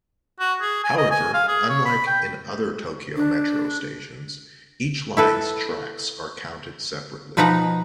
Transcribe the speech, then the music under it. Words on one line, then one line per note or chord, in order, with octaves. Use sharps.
However, unlike in other Tokyo Metro stations, each line's tracks are counted separately.
F#4
G#4
G#5
D#5
G#5
F5
G#4
C#5
B5
G5
D4
E4 A4 B4
B2 F3 D#4 B4 F#5 A#5